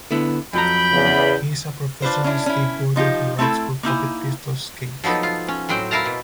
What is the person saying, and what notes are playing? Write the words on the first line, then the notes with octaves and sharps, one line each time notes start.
He is a professional skateboarder who rides for Pocket Pistols Skates.
D3 B3 E4
F2 F#3 G5 A#5 B5
E2 C#3
D4 F4 B4 C5
C#4 D4 E4
C#4 E4
F3 D#4 F4 G4
A3 C4 E4 A4
A#3 D#4 E4 G#5
F3 F#3 B3 D#4 A4
F4
C#4
A2 F#3 C4 F#4 G5
E4 A#4 F5 A5 A#5
B2